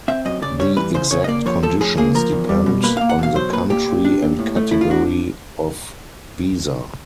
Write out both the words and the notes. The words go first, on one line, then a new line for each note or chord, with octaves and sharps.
The exact conditions depend on the country and category of visa.
C4 E5
F#2 D#5
C#3 D5
G3 C#5
E3 B4
C#3 C5
C#3 C#5
D#5
A#3 D5
F3 C#5
F3 A4
A2 G#4
A#3 G#4
F3 A#4
E2
G3
B2
A#3 B4
F5
A#3
F#5
B2 F5
F#3 C5
A#2 B4
A#2 G4
A#2
D4
A#2
A2
A3
A2 E4
F4
D4 F#4